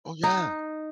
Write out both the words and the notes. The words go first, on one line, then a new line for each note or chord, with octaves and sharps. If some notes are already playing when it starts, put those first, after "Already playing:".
Oh yeah.
D#4